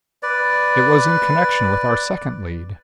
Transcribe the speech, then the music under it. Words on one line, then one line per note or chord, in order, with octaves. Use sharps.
"It was in connection with our second lead."
B4 D5